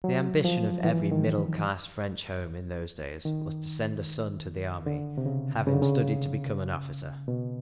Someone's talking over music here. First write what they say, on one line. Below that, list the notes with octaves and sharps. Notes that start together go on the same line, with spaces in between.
The ambition of every middle-class French home, in those days, was to send a son to the army--have him study to become an officer.
F#3
F3
E3
D#3
D#3
D3
C3
C#3
C#3
D3
C#3
B2